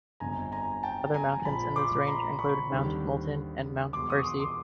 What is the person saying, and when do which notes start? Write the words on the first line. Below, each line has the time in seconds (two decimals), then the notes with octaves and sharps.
Other mountains in this range include Mount Moulton and Mount Bursey.
0.20 G1 F2 D3 G#5 A#5
0.52 G#5 A#5
0.83 G5 A5
1.14 G#5 A#5
1.45 A#1 A#2 F3 A5 B5
1.76 C6 D6
2.01 B5
2.07 A#5 C6
2.39 B5 C#6
2.69 D#2 D3 G3 C4 D#4
3.93 E2 B2 G#3 C6 D6
4.09 C#6 D#6
4.24 C6 D6
4.40 C6 D6